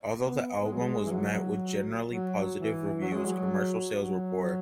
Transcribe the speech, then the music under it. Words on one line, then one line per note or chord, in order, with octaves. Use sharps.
Although the album was met with generally positive reviews, commercial sales were poor.
B3
G#3
F#3
G#3
E3
F#3
F#3
E3
F#3
G#3
F#3
F#3